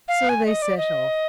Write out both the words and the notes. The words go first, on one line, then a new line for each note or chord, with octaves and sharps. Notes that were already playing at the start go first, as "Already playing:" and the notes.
So they set off.
F5
G#5
D#5
D5
D#5